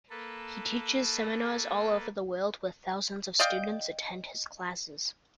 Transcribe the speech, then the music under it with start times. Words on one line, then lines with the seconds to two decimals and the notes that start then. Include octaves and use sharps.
He teaches seminars all over the world where thousands of students attend his classes.
0.10 A#3 A4 B4 A5
3.39 D5 D#5 F5 G5